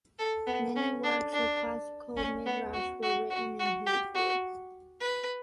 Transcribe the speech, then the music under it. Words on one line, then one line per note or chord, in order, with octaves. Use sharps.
Many works of classical midrash were written in Hebrew.
A4
B3
C#4
D4
D4
C#4
B3
F#4
F#4
F#4
F#4
G4
F#4
B4